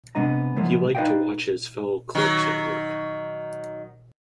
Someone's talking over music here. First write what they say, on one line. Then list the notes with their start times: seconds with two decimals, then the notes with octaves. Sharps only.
He liked to watch his fellow-clerks at work.
0.15 C3 G#3 B3 D4 D#5 A#5
0.56 C#3 E3 F3 G#3 A#3 B3
0.95 D#4 B4 D5 D#5 F5 G5
2.15 D#3 F#3